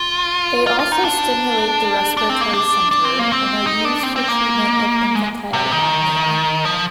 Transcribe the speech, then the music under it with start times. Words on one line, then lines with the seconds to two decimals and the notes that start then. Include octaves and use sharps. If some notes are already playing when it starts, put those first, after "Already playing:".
They also stimulate the respiratory centre, and are used for treatment of infantile apnea.
Already playing: F4
0.67 F4
0.80 F4
0.92 D#4
1.04 D4
2.17 D4
2.30 C4
2.41 A#3
2.53 D4
2.91 D4
3.05 C4
3.19 A#3
3.32 C4
3.67 D#4
3.85 D4
4.03 C4
4.16 C4
4.28 A#3
5.15 G#3
5.53 C3
5.72 D#3
6.65 F3